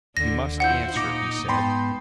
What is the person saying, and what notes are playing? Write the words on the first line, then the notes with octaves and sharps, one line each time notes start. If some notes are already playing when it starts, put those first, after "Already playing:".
"You must answer," he said.
D#2 D3 A#6
E4 F4 C5 F#5 G6
A#2 D#4 D6 A#6 C#7
G#2 B3 G5 A5 B5 C6